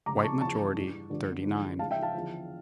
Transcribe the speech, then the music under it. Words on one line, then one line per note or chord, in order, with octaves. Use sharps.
White majority, thirty-nine.
C#2 C#3 F3 A#5 D6
A5 C#6
E2 C#3 F3 A5 C#6
G2 E3
G2 D3 F3
E2 D3 F3
C#2 C#3 F3 F5 A5
E5 G5
F5 A5
E2 D3 F3